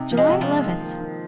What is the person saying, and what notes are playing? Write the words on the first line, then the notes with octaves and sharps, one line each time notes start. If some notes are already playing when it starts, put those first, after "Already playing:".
July Eleventh.
Already playing: C3 D#4
F3
G#3
C3
F3 G#3
D#3
A#3
D#3